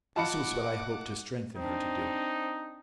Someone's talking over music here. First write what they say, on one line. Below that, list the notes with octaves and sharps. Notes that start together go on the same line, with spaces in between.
This was what I hoped to strengthen her to do.
F4 D#5 F#5 A5 B5 D6 C#7
C4 D4 D#4